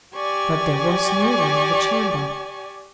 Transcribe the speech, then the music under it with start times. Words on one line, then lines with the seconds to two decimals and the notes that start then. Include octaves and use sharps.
But there was no one in the chamber.
0.15 G4 D5 G#5 C#6